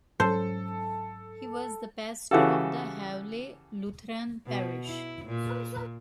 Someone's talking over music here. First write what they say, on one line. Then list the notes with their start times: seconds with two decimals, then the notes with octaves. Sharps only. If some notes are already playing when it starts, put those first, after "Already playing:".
He was the pastor of the Hawley Lutheran Parish.
0.20 G#2 F#3 C#4 A4 C5
2.31 C#3 E3 F#4 G4 A4
4.46 B2
4.86 E4
5.25 A#2